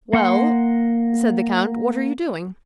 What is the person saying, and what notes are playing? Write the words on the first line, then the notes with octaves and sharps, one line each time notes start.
"Well," said the count, "what are you doing?"
A#3 F#5 C6